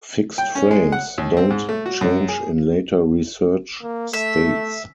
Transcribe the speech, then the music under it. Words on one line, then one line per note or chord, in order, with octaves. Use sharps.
Fixed frames don't change in later research states.
G5
C#4
G#3
F#5
D#2
C4
G#2
A3
F#4
F#2
G#4
A#3
A3 E5